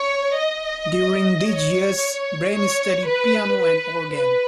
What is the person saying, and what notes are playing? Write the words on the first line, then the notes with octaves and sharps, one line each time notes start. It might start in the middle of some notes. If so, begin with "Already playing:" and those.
During these years, Brain studied piano and organ.
Already playing: C#5
D#5
C#5
C#5
B4
B4
B4